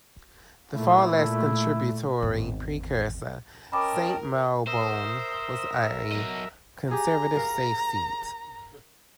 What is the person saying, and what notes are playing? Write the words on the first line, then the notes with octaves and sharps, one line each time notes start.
The far less contributory precursor, Saint Marylebone, was a Conservative safe seat.
A#2 A3 E4
G#1 E2
C#4 A#4 D#5 G5 A5 B5 D6
A#4 C5 E5 D#6
F#3 D#5
G4 G#4 A#5
A#4 F5